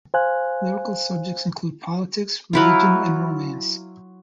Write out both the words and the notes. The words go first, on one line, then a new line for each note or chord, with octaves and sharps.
Lyrical subjects include politics, religion, and romance.
C5 F5 G#5 F#6
F#3 E4 F4